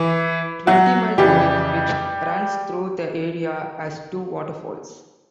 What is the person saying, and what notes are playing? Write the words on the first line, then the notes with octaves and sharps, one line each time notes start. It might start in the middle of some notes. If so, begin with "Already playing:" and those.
Twenty Mile Creek, which runs through the area, has two waterfalls.
Already playing: E3 E4
F#3 F#4
F2 C#3 E3 G3 G4